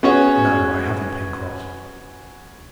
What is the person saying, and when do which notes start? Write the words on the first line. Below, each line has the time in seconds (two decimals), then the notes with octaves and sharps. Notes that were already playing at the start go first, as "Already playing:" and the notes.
"No, I haven't, Pencroft."
0.03 B3 C#4 F#4 G#4 C#5